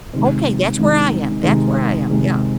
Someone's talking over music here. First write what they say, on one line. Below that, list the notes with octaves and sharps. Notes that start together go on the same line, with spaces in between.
Okay, that's where I am. That's where I am, yeah.
C3 D#3 G#3
C3 D#3 G#3
C3 D#3 G#3
C3 D#3 G#3